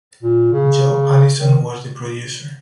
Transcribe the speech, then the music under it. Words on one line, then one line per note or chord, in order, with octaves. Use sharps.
Joe Allison was the producer.
A#2
C#3
D#3